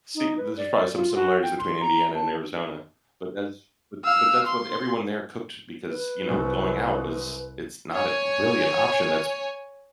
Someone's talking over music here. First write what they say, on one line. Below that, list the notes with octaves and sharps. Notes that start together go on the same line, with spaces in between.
See, there's probably some similarities between Indiana and Arizona, but that's but but that's what everyone there cooked because, you know, going out was it's not a really an option that's
D#4
B4
D5
F4
F#4
G5
C6
A#5
A5
F5 E6
C6
B4
C2
C#5 G#5